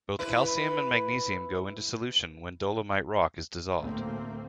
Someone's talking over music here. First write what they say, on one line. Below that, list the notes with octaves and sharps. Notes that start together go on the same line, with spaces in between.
Both calcium and magnesium go into solution when dolomite rock is dissolved.
E4 B4
D2 A2 A3 A#3 C4